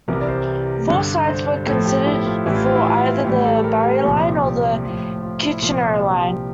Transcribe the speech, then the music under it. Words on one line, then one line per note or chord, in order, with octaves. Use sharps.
Four sites were considered for either the Barrie line or the Kitchener line.
C2 C3 E3 G3 A#4
D5
C5
G2 D3 G3
C5
A2 F3 A4
G4
E4
F4
A2 E3 G3 E4
F4
F4
E4
F4
A2 E3 G3 G4
A4
A#4
G4
C2 A#2 F3
G4
A2 F3
F4
E4
C2 A#2 F3 F4
G4
G4